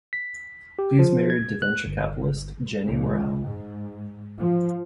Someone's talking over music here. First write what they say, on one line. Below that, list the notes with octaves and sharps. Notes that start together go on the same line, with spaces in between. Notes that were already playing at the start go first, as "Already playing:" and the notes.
He is married to venture capitalist Jenny Morel.
B6
G4
F3
G#6
F#6
G1
C#2
G#2
F3